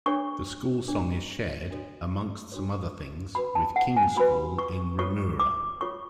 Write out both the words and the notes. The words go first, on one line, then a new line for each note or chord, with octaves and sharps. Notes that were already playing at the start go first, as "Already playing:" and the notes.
The school song is shared, amongst some other things, with King's School in Remuera.
D4 G#4 C#5 C#6
D4 G#4 C#5
D4 F#4 A4 C#5
D4 F#4 A4 C#5
F#4 B4 B5
A5
F#5
G#5
F#4 B4 B5
C#6
F4 A4 C#5 C#6
D6
F4 A4 C#5 C#6